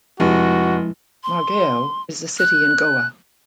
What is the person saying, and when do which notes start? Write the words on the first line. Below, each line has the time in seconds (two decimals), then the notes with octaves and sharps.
Margao is a city in Goa.
0.20 F1 F3 G#3 E4 F#4
1.23 C6
2.39 F#6